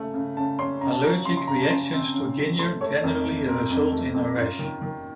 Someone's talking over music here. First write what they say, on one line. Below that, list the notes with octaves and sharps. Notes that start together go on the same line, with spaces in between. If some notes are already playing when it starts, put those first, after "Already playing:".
Allergic reactions to ginger generally result in a rash.
Already playing: C#3 A3
C#3
C#3 A5
C#4 C6
C#3 A#5
A5
F#3 A#5
C#3 C6
C6
C#3 A#5
A5
C#3 C6
C4
C#3
F#3
A3 C6
A3 C#5
F2 A#4
A3
C4 A#4
F2
A3
F2
F#2 F4
D#3
D#3